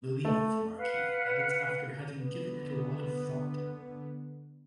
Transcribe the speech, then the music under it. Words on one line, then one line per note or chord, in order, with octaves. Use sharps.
Believe, marquis, that it’s after having given it a lot of thought...
A3
B4 F5 F#5
D3 B3